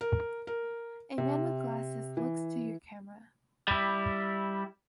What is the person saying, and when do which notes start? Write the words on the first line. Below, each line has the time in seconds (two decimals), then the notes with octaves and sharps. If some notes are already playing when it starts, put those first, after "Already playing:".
A man with glasses looks to your camera.
0.01 A#4
0.47 A#4
1.18 C3
2.17 E3
3.68 G3 E4